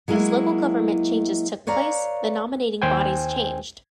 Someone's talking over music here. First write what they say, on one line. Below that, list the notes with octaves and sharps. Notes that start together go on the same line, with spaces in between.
As local government changes took place, the nominating bodies changed.
F#3 G#3 A#3 E4
B4 C#5 D5 F5 A#5
D#2 C5 G5 G#5